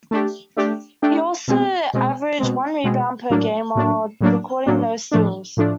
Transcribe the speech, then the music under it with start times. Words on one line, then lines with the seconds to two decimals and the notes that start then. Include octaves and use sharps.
He also averaged one rebound per game while recording no steals.
0.11 A3 D4 G4
0.57 A3 D4 G4
1.02 A3 D4 G4
1.48 B2 G#3 C4
1.94 B2 G#3 C4
2.39 B2 G#3 C4
2.84 B2 G#3 C4
3.30 A2 F#3 A#3 D4
3.76 A2 F#3 A#3 D4
4.21 A2 F#3 A#3 D4
4.66 A2 F#3 A#3 D4
5.12 A2 F3 A3 D4
5.57 A2 F3 A3 D4